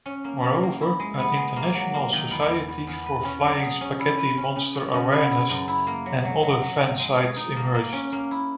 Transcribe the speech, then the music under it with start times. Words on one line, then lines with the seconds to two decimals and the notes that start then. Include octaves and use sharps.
Moreover, an International Society for Flying Spaghetti Monster Awareness and other fan sites emerged.
0.06 C#4
0.24 A#3
0.44 A#3
0.63 A#3
0.81 E4
1.00 G#3
1.19 B3
1.37 G#3
1.56 A#3
1.75 F#3
1.94 A#3
2.13 D#3
2.31 E2
2.49 E2
2.69 E2
2.87 E2
3.06 B4
3.25 C#4
3.44 F#3
3.62 G#4
3.81 C#4
4.00 E4
4.18 B4
4.38 C#4
4.56 C#3
4.75 C#3
4.94 C#3
5.12 B3
5.31 E4
5.49 F#2
5.68 E4
5.87 A#3
6.06 F#3
6.25 F#3
6.43 F#3
6.62 F#3
6.81 D#3
7.00 G#3
7.18 G#4
7.36 D#4
7.56 A#3
7.74 A#3
7.93 C#4
8.12 A#3
8.31 E4